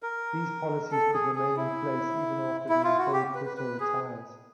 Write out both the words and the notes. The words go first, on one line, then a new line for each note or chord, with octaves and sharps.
These policies could remain in place even after the employee quits or retires.
A#4
A4
G#4
G#4
E4
E4
F4
F#4
G4
B4
B4
B4
G#4